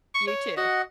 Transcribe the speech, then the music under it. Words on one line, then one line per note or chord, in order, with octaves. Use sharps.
You too.
C#6
C#5
F#4 D#5 F#5